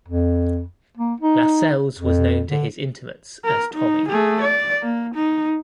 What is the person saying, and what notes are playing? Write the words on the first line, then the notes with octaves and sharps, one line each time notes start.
Lascelles was known to his intimates as "Tommy".
F2
A#3
D#4
F2
D3
A#4
D#4
A3 G#4
D5
A#3
D#4